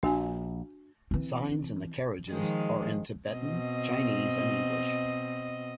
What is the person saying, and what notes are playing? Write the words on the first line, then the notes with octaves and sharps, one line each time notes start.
Signs in the carriages are in Tibetan, Chinese, and English.
A#1 D4 F#4 G#5
E3 C4
D#3 F3 G#3
B2 C4 D#5